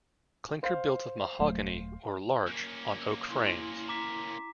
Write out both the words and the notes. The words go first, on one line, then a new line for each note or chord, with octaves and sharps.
Clinker built of mahogany or larch on oak frames.
C5 F5
D#1 F#3 A3
A#3 C#4
E4 C6
A#5 D6 B6